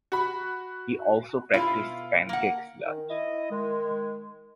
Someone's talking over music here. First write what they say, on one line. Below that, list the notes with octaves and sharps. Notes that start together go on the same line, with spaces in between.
He also practiced pencak silat.
F#4 B5
B2 E4 F4
A#3 F#5
D#3
E4 D#5
D#3 G#3